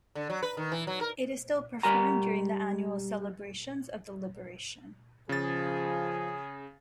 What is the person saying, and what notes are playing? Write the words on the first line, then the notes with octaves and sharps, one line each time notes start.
It is still performed during the annual celebrations of the liberation.
D3
F#3
B4
D#3
E3
F#3
A#4
G3 A#4 G#5 A#5
C#3 F3 G#4 A6